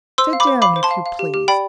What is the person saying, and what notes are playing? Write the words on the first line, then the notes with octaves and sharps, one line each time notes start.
Sit down, if you please.
C5 C6 E6
F5
B5 D6
C5
F5 B5 D6
C5
A5 C6
F5
F5
G4
G4
D5 G5 B5